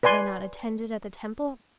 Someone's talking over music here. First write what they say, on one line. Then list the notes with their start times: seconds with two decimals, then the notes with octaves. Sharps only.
Have I not attended at the Temple?
0.03 B4 D5 G#5 C6